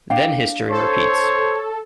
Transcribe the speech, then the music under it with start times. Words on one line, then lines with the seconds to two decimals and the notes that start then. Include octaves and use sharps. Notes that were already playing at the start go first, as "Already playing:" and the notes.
Then history repeats.
0.10 D4 F5 G5
0.70 A4 C5 C#5